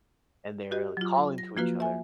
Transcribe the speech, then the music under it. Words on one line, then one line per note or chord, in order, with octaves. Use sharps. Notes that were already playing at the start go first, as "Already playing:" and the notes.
and they're, like, calling to each other.
F#4 G4 D#5
F#3 F4
A#6
F3 A#3 F4 F#4 B4
E5 G#5